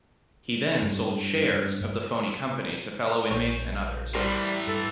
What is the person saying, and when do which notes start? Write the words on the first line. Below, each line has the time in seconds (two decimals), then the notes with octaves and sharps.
He then sold "shares" of the phony company to fellow inmates and others.
0.82 G2
3.31 A#1 C#5 G6
4.15 A2 E3 G3 A#4 C5
4.67 G2 A4